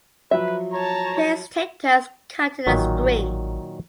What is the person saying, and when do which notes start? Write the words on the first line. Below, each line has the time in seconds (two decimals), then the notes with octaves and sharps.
Players take turns cutting a string.
0.31 F3 F#3 B4 E5
0.73 C#5 A5 A#5
2.67 A1 A#2 D#3 F#3